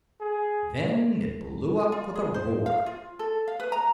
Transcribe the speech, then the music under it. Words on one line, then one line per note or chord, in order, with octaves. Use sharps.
Then it blew up with a roar.
G#4
F4
G#4
C5
F5
F4
A4
F5
B4
A#5